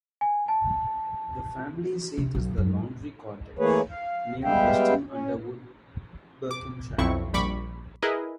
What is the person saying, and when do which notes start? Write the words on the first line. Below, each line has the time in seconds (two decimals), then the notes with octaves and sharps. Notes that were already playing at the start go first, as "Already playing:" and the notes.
The family seat is The Laundry Cottage, near Weston Underwood, Buckinghamshire.
0.21 G#5
0.48 A5
2.18 C3
2.35 B1
2.58 F#2
3.59 E3 A3 A#3 G#4 B4 C#5
3.91 F5
4.44 G3 G#3 B3 E5 F5 G5
5.10 C#4
6.51 D6
6.98 B1 F2 C4 E4 C#6
7.33 A#1 G3 B5 C#6 D6
8.02 E4 G#4 A#4 B4 D#5